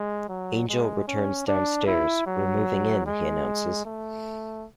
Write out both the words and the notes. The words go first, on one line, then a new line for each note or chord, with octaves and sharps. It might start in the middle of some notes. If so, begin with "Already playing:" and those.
Angel returns downstairs; "We're moving in," he announces.
Already playing: G#3
F#3
G#3
C#4
D4
E4
F#3
G#3
A3